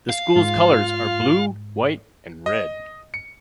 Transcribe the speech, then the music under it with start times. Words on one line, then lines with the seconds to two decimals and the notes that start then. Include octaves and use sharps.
The school colors are blue, white, and red.
0.10 F5
0.36 G#2 F4
2.46 D#5
3.14 C#7